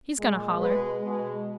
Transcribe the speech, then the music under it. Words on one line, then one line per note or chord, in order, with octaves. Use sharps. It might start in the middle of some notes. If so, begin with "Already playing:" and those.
He's going to holler.
A#2 G#3
B2 G#3 B4
B2 G#3